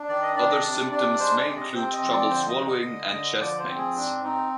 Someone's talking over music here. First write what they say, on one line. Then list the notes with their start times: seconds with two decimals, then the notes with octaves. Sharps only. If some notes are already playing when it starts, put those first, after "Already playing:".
Other symptoms may include trouble swallowing and chest pains.
Already playing: D4
0.09 D#3 D5
0.23 D#5
0.36 D4 D5
0.50 D#5
0.64 C3 D5
0.91 D4 D5
1.19 G#3 C5
1.38 D5
1.47 C3
1.56 D#5
1.75 C4 C5
1.93 D#5
2.03 F3
2.12 D5
2.30 D3 C5
2.48 D#5
2.58 D3
2.67 D#5
2.85 D3
3.13 D3
3.40 F3 D5
3.59 C5
3.68 C4
3.77 G#4
3.95 G#2 D4
4.24 C4 D#4